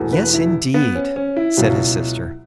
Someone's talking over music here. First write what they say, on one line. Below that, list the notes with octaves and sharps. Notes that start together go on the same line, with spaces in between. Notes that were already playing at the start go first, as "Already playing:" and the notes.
"Yes, indeed!" said his sister.
Already playing: E1 E2 E3 A3
B4
E4
B3
C#4
C#4
E4
C#2 B2 F#3